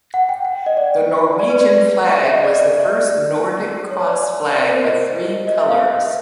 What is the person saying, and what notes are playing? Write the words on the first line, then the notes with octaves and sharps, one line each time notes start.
The Norwegian flag was the first Nordic cross flag with three colours.
F#5
G5
F#5
D#5
D5
D5
B4
D5
E5
D#5
D5
D#5
D5
D5
C#5
D5
D5
A#4
C5
D#5
D#5
E5
F5
E5